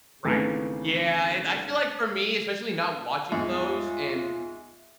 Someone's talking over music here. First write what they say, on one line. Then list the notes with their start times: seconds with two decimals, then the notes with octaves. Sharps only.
Right. Yeah. And I feel like for me, especially not watching those and
0.25 G#1 C#3 E3 A3 B3
3.32 E2 G#2 F4 E5